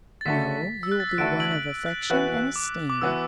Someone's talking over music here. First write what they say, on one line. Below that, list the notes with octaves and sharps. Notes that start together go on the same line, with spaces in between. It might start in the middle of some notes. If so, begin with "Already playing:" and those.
"No, you will be one of affection and esteem."
A6
D3 A3 F#4 A4 B6
E6
F#6
A6
B6
D3 A3 F#4 A4 A6 D7
D7 F#7
F#6
E3 B3 F#4 B4 F#6
D6
D6
E3 B3 F#4 B4 E6